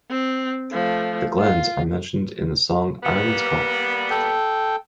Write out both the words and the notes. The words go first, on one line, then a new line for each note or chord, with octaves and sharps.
The Glens are mentioned in the song "Ireland's Call".
C4
F3 A3
F4
G3 A#3 B3
A4 G5